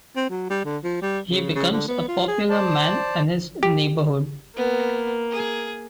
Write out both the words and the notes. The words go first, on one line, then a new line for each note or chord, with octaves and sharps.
He becomes a popular man in his neighborhood.
C4
F#3
G3
D3
F3
G3
C#3
C#3
D3
B3
F4
G#4
C5 D5 A5
G4
A#3 B3
G#4